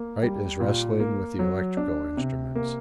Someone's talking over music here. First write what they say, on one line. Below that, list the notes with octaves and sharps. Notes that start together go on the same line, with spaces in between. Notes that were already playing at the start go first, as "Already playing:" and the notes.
Wright is wrestling with the electrical instruments.
Already playing: A#3
G3
A#2
A#3
F#3
D4
C3
A#3